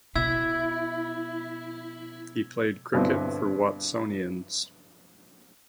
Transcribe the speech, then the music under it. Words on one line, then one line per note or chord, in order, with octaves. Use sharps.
He played cricket for Watsonians.
B2 E4 E6 G#6
G2 B2 D3 C4 E4